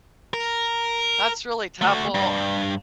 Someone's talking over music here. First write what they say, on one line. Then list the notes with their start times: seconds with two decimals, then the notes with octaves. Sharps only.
that's really tough. Well,
0.34 A#4
1.81 A3 F#4
2.15 G2